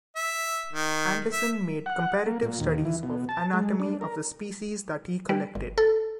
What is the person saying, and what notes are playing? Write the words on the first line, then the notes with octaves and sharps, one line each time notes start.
Anderson made comparative studies of anatomy of the species that he collected.
E5
D#3
E5
F#5
A#3
A#2
D#2
E3
B2
A5
G#3
D4
A#4
G3
G1
A4